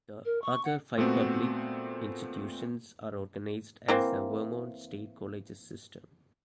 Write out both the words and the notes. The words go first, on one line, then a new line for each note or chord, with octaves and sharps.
The other five public institutions are organized as the Vermont State Colleges system.
A#4
C#6
F#5
A#2 A3 B3 C4 F#4
E3 A#3 C4